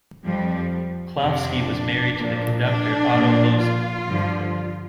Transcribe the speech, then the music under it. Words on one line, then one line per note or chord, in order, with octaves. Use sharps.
Klafsky was married to the conductor Otto Lohse.
F2 F3 G3
F2 C3 F3 D4
A#2 F3
D4
A#2 F3
F4
G2 D3 F3